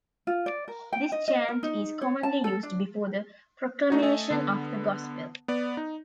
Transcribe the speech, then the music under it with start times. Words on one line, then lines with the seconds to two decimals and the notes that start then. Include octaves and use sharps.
This chant is commonly used before the proclamation of the Gospel.
0.27 F4
0.46 D5
0.68 A#4
0.93 G5
1.12 D#5
1.28 D#5
1.48 A#4
1.63 D#4
2.01 C#5
2.23 A5
2.44 A4
2.63 D4
3.90 A3 D#4 F#4
4.02 A3 A4 D#5 G#5
4.30 D3 B3
5.48 B3 D5
5.77 D#4